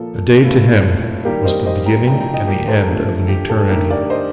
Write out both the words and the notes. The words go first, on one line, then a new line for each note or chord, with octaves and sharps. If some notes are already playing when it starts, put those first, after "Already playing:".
A day to him was the beginning and the end of an eternity.
Already playing: A#2 F3 A#3 F4 A4
A2 A3 C4 F4
D#3 G3 A#3 G4 A#4
C5 D#5
C5 D#5
G5 A#5
F3 A3 D4 G5 A#5
G5 A#5
D#5 G5
G4 A#4
A4 C5
A#4
D3 F3 A3 A4
G4
A4
D3 A3 D#4 G4 A#4
A#4 D5
C5 D#5